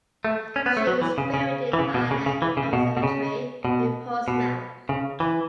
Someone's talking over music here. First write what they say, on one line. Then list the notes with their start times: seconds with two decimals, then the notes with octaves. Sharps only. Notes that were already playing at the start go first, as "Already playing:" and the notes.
She was buried in Highland Road Cemetery in Portsmouth.
0.25 A3
0.56 C#4
0.66 B3
0.77 A3
0.87 F#3
1.02 E3
1.18 C#3
1.34 C#3
1.73 E3
1.79 C#3
1.94 B2
2.11 C#3
2.26 C#3
2.42 E3
2.57 C#3
2.73 B2
2.97 B2
3.03 C#3
3.65 B2
4.28 B2
4.89 C#3
5.20 E3